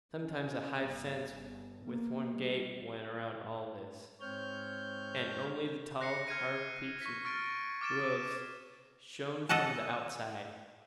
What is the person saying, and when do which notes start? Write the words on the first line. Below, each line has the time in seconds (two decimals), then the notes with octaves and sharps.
Sometimes a high fence with one gate went around all this, and only the tall, carved peaks of roofs showed from the outside.
0.20 C#4
0.82 G1
1.29 G1
1.84 A#3
2.32 G3
4.21 G#2 C4 C#5 F6 G6
6.01 F#6 A#6 C7 C#7
6.28 F6 G#6 C#7 D#7
7.01 C#6 B6
7.25 C#6 F6 A6 A#6 D7
7.81 D6 F6 A6 D7 E7
9.49 A4 D#5 F#5 A5